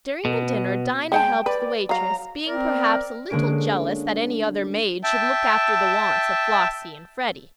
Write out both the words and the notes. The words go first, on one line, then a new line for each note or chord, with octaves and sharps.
During the dinner, Dinah helped the waitress, being perhaps a little jealous that any other maid should look after the wants of Flossie and Freddie.
B2
G#3 F#5 G5 A5
B4 D5
F#3 F5 A#5
C4 A#4 D5
D3 G#3 A#3 C#4 D7
E5 G5 A5